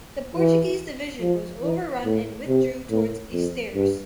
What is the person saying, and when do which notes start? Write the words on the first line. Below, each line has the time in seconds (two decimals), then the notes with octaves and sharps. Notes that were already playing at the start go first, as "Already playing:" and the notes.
The Portuguese division was overrun and withdrew towards Estaires.
0.36 E3
1.20 F3
1.63 E3
2.05 A2
2.48 C3
2.90 A2
3.33 F2
3.75 G2